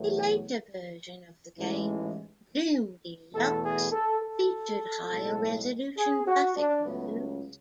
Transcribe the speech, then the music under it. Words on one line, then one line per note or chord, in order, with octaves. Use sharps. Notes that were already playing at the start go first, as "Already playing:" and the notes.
A later version of the game, "Gloom Deluxe", featured higher resolution graphic modes.
Already playing: E2 B2 F#3 A3
A1 G#2 E3 G#3
E2 B2 A3 A4
G#4
A4
A4
B1 A2 G#3
G#4
F#4
D4
C#2 C#3 F#3 A3 B3